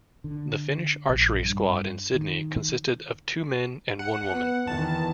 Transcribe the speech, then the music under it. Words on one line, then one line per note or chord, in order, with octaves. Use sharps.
The Finnish archery squad in Sydney consisted of two men and one woman.
D3
A#1
G2
D#3
F#5
B3
E2 D#3 E3 A5